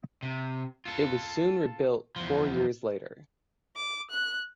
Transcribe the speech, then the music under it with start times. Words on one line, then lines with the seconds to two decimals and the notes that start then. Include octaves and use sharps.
It was soon rebuilt four years later.
0.23 C3
0.85 F4 A4
2.16 E2 F3
3.76 D6
4.10 F#6